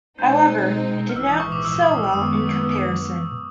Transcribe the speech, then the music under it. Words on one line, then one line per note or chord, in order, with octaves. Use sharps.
However, it did not sell well in comparison.
B2 G#3 C4 D#4 G6
F6
A#1 G#2 E3 E6
D#6
C#6
D6
E6
D#6
E6
E6
F#2 D#3 G#3 B3 D#6